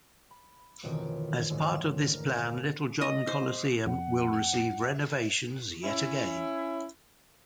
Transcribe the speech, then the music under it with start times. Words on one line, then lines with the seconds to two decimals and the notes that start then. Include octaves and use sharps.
As a part of this plan, Littlejohn Coliseum will receive renovations yet again.
0.31 B5
0.83 A1 F2 B2 D3 D#3 D7
1.50 A1 D2 G#2 D3
2.13 A#4
3.01 D#5
3.27 C5
3.86 F2 F#5
5.84 C#4 E4